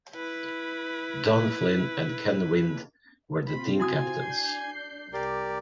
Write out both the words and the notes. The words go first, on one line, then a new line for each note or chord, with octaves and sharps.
Don Flynn and Ken Wind were the team captains.
E4 B4
C3 C4 F4 B5
E4 F#4 G#5 D#6
D4 G6 C7
C2 G4 A#4 D5